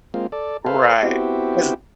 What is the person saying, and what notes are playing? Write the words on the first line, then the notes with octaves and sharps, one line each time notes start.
Right. 'Cause
G#3 A#3 C4 F4
A4 D5
A4 B4 C5 F5
B3 C4 E4 F#4 G4